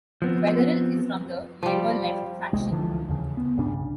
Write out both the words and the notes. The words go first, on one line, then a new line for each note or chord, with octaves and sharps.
Weatherill is from the Labor Left faction.
F3 B3 C4
F3 G3
C2 G#3
C#2 D3 E3 F3
D#2 C#3
B3
B1 G2 C#3 D4